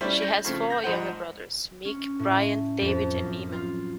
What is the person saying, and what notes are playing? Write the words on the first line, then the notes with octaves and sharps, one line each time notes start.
She has four younger brothers: Mick, Brian, David and Eamonn.
G3 A3 C#4 E4 C5 D5
G6 A#6
C#3 F3 A3 C4
G6 A#6
A#1 G#2 F3 D#4 C5 F#5
C#4
A2
F2
F#2
F4